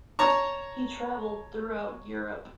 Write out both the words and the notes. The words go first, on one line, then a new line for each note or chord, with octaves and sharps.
He traveled throughout Europe.
C#5 A5 A#5 C#6